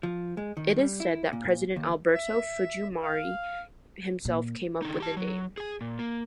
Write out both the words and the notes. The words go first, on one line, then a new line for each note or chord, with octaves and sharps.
It is said that President Alberto Fujimori himself came up with the name.
F3
G#3
D#3
G3
E4
A#2
D#2
E5
F5
A#2
D3 D#4
G4 A5
F#3
G#4 G#5
A#2
A#3